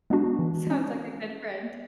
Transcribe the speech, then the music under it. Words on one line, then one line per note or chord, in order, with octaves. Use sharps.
Sounds like a good friend.
G#3 B3 D4 F#4
E3
G#3 C#4